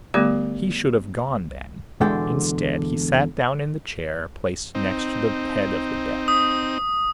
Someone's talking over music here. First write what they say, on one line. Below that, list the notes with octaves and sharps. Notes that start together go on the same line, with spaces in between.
He should have gone then; instead, he sat down in the chair placed next to the head of the bed.
D3 G3 A3 B3 G4 D6
E2 B2 D3 G#3 D5 G5
C4 D#4
D#6